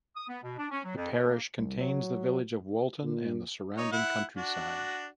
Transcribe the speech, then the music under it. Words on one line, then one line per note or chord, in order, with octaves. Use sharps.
The parish contains the village of Walton and the surrounding countryside.
D#6
B3
B2
D4
C#4
F#3
F2
B2
A#3
C2
F#3
A#2
D#4 C#5
E4 E5 F#5
D4 F#4